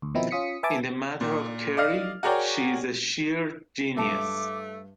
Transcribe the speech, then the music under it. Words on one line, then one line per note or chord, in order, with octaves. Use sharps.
In the matter of curry she is a sheer genius.
D2
B2 D#3 F3 C4 D#4 E4
C#4 F4 D#6 B6 C#7
B4 E5 G#5 A5 D6
A#2
D5 D#5 F5 F6
F#4 G#4 A#4 C#5 D5 G5
G2 A3 E5 A5 D6